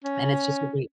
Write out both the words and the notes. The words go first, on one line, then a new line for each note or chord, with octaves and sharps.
and it's just a great
C#4